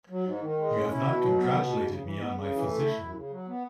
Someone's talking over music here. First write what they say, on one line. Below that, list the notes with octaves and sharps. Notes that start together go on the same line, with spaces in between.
You have not congratulated me on my physician.
F#3
G#2
D#3
G#3
C#4
E4
B2
F#3
B3
B2
E2
C#3
E3
B3
C#3
E3
A3
E4
F#2
C#3
F#3
B3